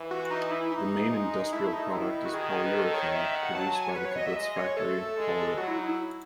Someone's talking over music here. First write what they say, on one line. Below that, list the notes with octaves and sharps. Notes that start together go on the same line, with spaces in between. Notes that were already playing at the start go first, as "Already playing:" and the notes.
The main industrial product is polyurethane, produced by the kibbutz factory, Polyrit.
Already playing: E3
F#4
D#4
E4
E3 D#4
G#3
A3 E4
D#4
D#3 E4
F#4
D#3 G#4
B4
A4
C#5
E5
F#5
F#3 A5
G#5
C#5
F#3 B4
C#5
D#5
E5
G#3 D#5
C#5
A3 A4
G#3
F#3 F#4
E4
D#4
E4